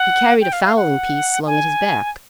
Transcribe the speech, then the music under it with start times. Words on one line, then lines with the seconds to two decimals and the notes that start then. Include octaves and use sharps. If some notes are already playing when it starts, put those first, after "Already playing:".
He carried a fowling-piece slung at his back.
Already playing: F#5
0.41 G5
0.53 F5
0.64 F5
0.76 F#5
1.46 G#5